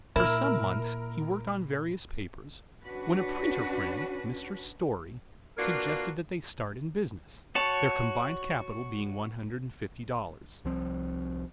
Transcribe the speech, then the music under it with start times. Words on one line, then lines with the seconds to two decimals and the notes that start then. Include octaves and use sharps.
For some months he worked on various papers, when a printer friend, Mr. Story, suggested that they start in business, their combined capital being one hundred and fifty dollars.
0.16 A#2 E4 A#4 F6
2.84 C#4 D4 F#4 B4
5.57 E3 A#3 D4 F4 F#4 A#4
7.55 F#4 C#5 A5
10.65 C2 F3 C4